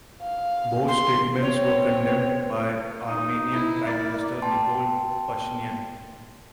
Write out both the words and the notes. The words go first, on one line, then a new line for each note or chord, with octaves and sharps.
Both statements were condemned by Armenian prime minister Nikol Pashinyan.
F5
C6
C4 C#5
D#4
E4
A#4 D5
G5 A5 C6